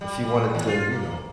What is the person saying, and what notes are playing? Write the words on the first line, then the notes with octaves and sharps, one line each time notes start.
if you wanted to, you know
G3
G3
D#2
F4
A#3